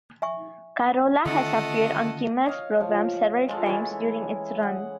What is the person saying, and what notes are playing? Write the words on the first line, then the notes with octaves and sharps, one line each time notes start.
Carolla has appeared on Kimmel's program several times during its run.
E5 G#5 C#6
D3 D#3 A3 C#4 F4 D#5 F#5 A5
C#5 D#5 F5
F3
G#3 F4 A4
E3 C#4 C#5
G#4 F#5